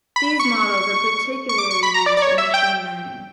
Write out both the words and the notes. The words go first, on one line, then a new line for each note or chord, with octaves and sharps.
These models are particularly used in machine learning.
B5
C#6
C#6
D6
C#6
B5
A#5
D5
D5
C#5
E5
G5